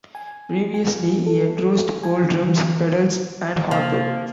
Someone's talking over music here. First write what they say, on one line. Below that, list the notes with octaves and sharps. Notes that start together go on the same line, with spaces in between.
Previously, he endorsed Pearl drums, pedals and hardware.
G#5
G#5
A4
G#5
D3
E3
C3 F3 A#3